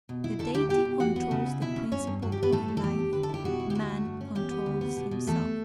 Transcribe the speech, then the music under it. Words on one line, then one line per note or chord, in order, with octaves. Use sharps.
The Deity controls the principle of life; man controls himself.
B2
E4
D2 A4 A5
D2 G4 G5
B2 G4 G5
B2
E2 F#4 F#5
B3
C#3
E4
B2 E4 E5
C#4
G2 C#4 C#5
G2
G2 F#4
G4
G2
B3 B4
A2 A3 A4
A2
A4
E2 G4
D4
D3 B4
A4
E4 G4
B2 F#4
E4
G4
D2 F#4
A3
G2
C#4
E2 G4
B3
D2
B3
B2
B2
E2 A3 A4